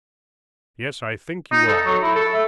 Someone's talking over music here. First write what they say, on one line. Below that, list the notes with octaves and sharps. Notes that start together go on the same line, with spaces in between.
'Yes, I think you are.
D#4
A4
F#3
E4
A4
E5